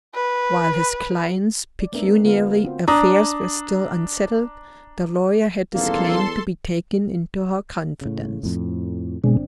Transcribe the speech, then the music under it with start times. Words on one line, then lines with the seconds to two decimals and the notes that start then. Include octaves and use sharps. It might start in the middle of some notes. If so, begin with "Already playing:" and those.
While his client's pecuniary affairs were still unsettled, the lawyer had his claim to be taken into her confidence.
0.14 B4
1.80 D5
1.92 A3 B3 C4 D4 A#4 E5
2.24 D3 B3 F4 A#4 B4 F5
2.64 C4 F4 F#4 C5
2.88 D4 A#5 D#6
5.74 D#1 E2 A#3 A4 C6
8.01 A2 C#3
8.43 F2 A2
9.24 G1 B2 G#3 C4 D4